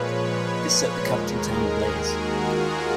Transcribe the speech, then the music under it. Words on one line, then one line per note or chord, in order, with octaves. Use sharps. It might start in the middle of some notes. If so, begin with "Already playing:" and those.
This set the capital town ablaze.
Already playing: A#2 F3 G#3 B4 C#5
B4
D#2 D#3 G#3 A#4
G#4
F#4
F4